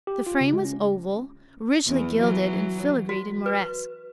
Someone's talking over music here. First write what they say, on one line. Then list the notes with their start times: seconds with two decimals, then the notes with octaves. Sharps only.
The frame was oval, richly gilded and filigreed in Moresque.
0.07 G4
0.27 F4
0.41 C#3
0.53 G#3
0.65 C#4
1.87 E2 E3
2.18 E3 F#3
3.09 F#4
3.46 B4